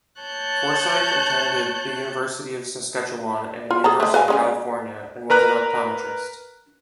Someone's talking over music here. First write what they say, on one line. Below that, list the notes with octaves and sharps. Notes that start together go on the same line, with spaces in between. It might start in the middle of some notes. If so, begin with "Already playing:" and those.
Forsyth attended the University of Saskatchewan and University of California and was an optometrist.
C#5 A5 F#6 G6
F4
G#4 A4 A#5
G#3 A3
B4 F5 G#5
G#3 C#4 G#4
A#4 B4 A#5 F#6